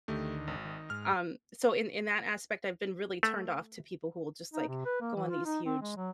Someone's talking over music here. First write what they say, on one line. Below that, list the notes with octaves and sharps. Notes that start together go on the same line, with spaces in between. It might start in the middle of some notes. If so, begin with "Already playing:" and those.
Um, so in in that aspect, I've been really turned off to people who will just, like, go on these huge
D2 D#3 A3 G4
G#1
D#3
G#2 F6
A3
D#4
C3
B4
A#3
E3
F4
D#4
C4
G#3
F#3